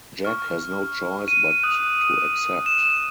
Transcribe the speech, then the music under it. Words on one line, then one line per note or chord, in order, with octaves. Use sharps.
Jack has no choice but to accept.
C#6 F6
D#7
D#6 F#6
E7